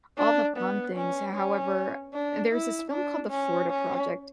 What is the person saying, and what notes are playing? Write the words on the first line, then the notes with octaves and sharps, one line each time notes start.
All the fun things, h however, there's this film called The Florida Project,
D4
B3
C#4
C#4
D4
E4
D4
C#4
C#4